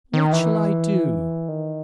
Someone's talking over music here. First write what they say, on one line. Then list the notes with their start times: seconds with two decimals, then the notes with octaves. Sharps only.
"What shall I do?"
0.13 D#3
0.32 E3
1.48 D#3